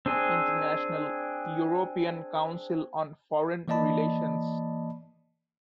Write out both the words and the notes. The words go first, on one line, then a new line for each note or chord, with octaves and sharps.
International: European Council on Foreign Relations.
C4 D4 G#4
E3 A#3 D5 D#5 A5 B5